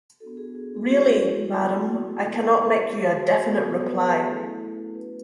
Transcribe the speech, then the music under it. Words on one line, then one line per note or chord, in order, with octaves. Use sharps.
Really, madam, I cannot make you a definite reply.
B3 D4 F#4 A4
G#4
G#4
G#4
G#3 C#4 E4 F#4
F#3 B3 E4
G#4
B3 E4 A4
B4
C#5
D5
G#4
G#3 C#4 F#4 G#4
F#4
G#4
F#3 B3 F#4 A4
A4
B4
G#4
A3 C#4 E4 A4
B3 F#4 B4